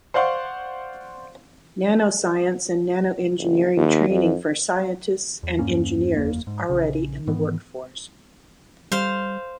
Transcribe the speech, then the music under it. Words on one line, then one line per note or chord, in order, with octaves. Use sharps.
Nanoscience and Nanoengineering training for scientists and engineers already in the workforce.
C5 D5 F5 F#5 C6 C#6
F#1
D#2
F2
E2
E2 G2 A#3 C#4
F#1 E2 A#3
G#2
A#1 C#3
G#2 D#3 E3 B3
G3 C5 F5